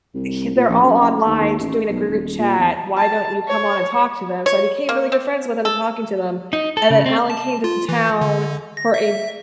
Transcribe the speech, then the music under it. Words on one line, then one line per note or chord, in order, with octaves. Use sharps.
he they're all online doing a group chat, why don't you come on and talk to them?" So I became really good friends with them, talking to them, and then Alan came to town for a
C2
A#2
A#1
F#2
F#1
D#2
D#2
A1
B1
D#1
A#2
E2
A5
C#5
C#5
A#3
C4
A4
D#4
A4
C#3
C4
A5
F4
E3
D3
A#6
E5